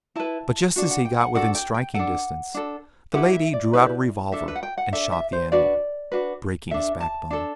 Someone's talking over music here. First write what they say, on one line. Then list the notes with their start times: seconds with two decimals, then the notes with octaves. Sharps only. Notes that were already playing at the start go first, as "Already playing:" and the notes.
But just as he got within striking distance, the lady drew out a revolver and shot the animal, breaking his backbone.
0.16 E4 B4 A5
0.76 D4 F#4
0.91 F#5
1.05 G5
1.21 F#5
1.35 D4 F#4 A4 F#5
1.55 G5
1.74 G5
1.94 D4 A4 F#5
2.54 D4 A4
3.13 E4 G4 B4 F#5
3.33 E5
3.53 D5
3.73 E4 G4 B4
4.32 D4 A4 E5
4.48 B4
4.55 F#5
4.63 G5
4.78 F#5
4.93 D4 A4 E5
5.12 E5
5.33 C5
5.52 D4 F#4 B4 D5
6.12 D4 F#4 B4
6.71 D4 A4 E5
7.01 A5
7.30 D4 A4